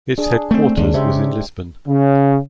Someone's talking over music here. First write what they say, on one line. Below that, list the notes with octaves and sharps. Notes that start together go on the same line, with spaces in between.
Its headquarters was in Lisbon.
D4 G#4
A3 C4
D#2 G#3 D4
C#3 G4 C5 E5
C#3